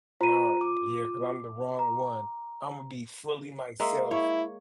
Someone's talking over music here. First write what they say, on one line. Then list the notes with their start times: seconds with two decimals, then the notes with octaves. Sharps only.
Naw, yeah, 'cause I'm the wrong one. Imma be fully myself.
0.21 F4 C5 A#5 D#7
0.61 D6
1.79 A#5
3.80 G#3 A#3 E5
4.11 E4 C#5